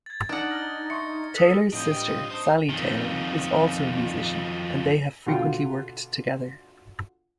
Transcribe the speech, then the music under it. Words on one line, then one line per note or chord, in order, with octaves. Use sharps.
Taylor's sister, Sally Taylor, is also a musician and they have frequently worked together.
G#6 A6
D4 D#4 F#5
F6 A#6
E5 C6 C#6 C#7
A4 D#6 F#6 B6
F1 A2 D4 C5 D#5
G2 F4 G5
D4 D#4 C5 D#6
F2 D#3
B2 D3 F4 G5 C6